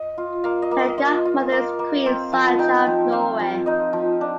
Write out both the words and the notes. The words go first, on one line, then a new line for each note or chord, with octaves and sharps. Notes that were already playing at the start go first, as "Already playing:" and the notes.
Her Godmother is Queen Sonja of Norway.
Already playing: D#5
F4
A#3 F5
D#5
A#3
D#5
F4 D#5
F4
A#3 F5
A#3
C4
F3
D#4 G5
F3
C4 F5
F3
D#4 D#5
F3
D4